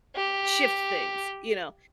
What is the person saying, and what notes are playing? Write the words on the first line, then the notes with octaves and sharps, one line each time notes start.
shift things, you know,
G4